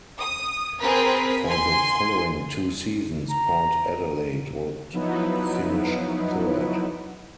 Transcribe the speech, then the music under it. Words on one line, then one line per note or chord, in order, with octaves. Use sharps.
For the following two seasons Port Adelaide would finish third.
D#6
C4 G#4 A#4 B4 B6
G#5 C6
A#5
F3 F#3 B3 D#4 E4 B4